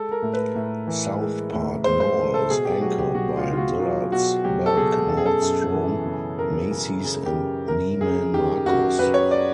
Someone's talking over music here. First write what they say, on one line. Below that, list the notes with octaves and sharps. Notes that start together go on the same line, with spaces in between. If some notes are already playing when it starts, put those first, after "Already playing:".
SouthPark Mall is anchored by Dillard's, Belk, Nordstrom, Macy's and Neiman Marcus.
Already playing: G#3 A4
A#4
A2
B4
A2
E3
G#3
A2
G#3 C5
C5
G#3
A4
B2 G#4
G4
F#3 F#4
G4
B2 F#4
F4
F#3
F4
F#4
F#3 F4
B2 F#4
F#3 G4
A4
B2 G#4
F#2 A4
G#4
A4
F#2
E3
C#3
F#2 A#4
C#3
C#3 G#4
G4
F#2
F#2 A#4
F#2 G#4
D#3 G4
F#2 F#4
F#2 B4
C#5
D5